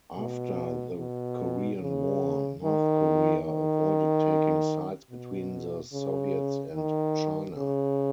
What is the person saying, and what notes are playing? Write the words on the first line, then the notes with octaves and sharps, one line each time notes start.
After the Korean War, North Korea avoided taking sides between the Soviets and China.
B2
B2
C#3
D#3
D#3
B2
C#3
D#3
C#3